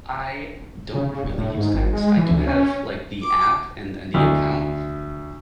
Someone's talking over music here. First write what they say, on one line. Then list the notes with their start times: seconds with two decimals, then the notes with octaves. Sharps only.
I don't really use X. I do have, like, the app and and the account,
0.95 C#3
1.09 C#3
1.24 D#1
1.38 A2
1.57 G#2
1.74 G#1
1.93 G#3
2.17 E3
2.31 D2
2.47 C#4
3.22 D6
4.14 D2